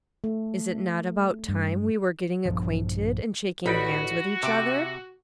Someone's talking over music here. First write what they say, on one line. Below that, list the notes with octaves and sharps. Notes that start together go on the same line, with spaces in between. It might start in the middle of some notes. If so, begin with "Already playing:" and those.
Is it not about time we were getting acquainted and shaking hands with each other?
A3
G2
A#1 G2 F3
A1 D#4 F#4 D5 B5
C3 E5 D6